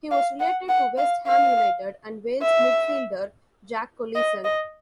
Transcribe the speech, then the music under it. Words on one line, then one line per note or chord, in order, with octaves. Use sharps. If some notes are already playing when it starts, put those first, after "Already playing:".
He was related to West Ham United and Wales midfielder Jack Collison.
F5
F#5
F#5
F5
F5
E5
D#5
D#5